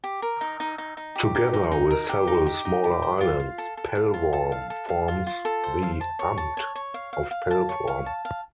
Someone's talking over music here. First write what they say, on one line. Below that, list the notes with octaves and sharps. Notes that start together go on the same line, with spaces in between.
Together with several smaller islands, Pellworm forms the "Amt" of Pellworm.
G4
A#4
D#4
D#4
D#4
D#4
G4
D#4
D#4
D#4
A#4
G4
D#4
G4
D#4
G4
C5
F4
F5
A4
A4
F5
F4
A4
F5
A4
F5
F4
F4
A4
C5
F5
A5
C#5
A5
C#5
C#5
F5
F5
F5
A5
C#5
F5
A5
F5